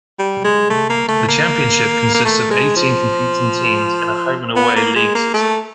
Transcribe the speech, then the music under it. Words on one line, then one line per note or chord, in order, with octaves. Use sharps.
The championship consists of eighteen competing teams in a home and away league system.
G3
G#3
A3
A#3
A3
A#3
A#3
A3
G#3
F3
B3
A#3
G#3
A#3
A3